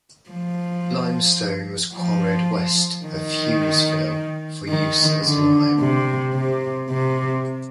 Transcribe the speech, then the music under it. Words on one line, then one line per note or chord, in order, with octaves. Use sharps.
Limestone was quarried west of Hughesville for use as lime.
F3
F3
D#3
D#3
D3
C3
C3
C3